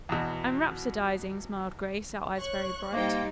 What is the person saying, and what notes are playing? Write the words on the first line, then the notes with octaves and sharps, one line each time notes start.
"I'm rhapsodizing," smiled Grace, her eyes very bright.
E2 B2
C#5 C#6 F#6
G3 A#3 D#4 C5 G5